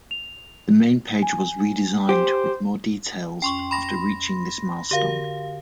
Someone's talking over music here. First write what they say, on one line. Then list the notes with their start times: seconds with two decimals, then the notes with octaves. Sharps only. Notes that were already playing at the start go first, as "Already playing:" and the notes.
The Main Page was re-designed with more details after reaching this milestone.
0.11 F7
1.22 G#5
2.09 G4 C5
3.42 F2 C#4 G5 C6 C#6
3.71 B5 C6 A#6
4.91 D3 F#4 G4 A#4 F5